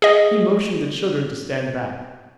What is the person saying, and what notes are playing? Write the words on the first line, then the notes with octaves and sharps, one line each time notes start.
He motioned the children to stand back.
G#4 D#5